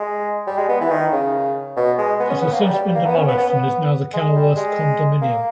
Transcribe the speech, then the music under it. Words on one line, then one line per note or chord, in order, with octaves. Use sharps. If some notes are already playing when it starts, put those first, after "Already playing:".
It has since been demolished and is now the Kenilworth Condominium.
Already playing: G#3
G3
G#3
B3
E3
D#3
C#3
B2
G#3
B3
C#4
B3
A#3
G3
G3
A#3
B3
C#4
B3
B3
B3
G#3
G3
G#3
A#3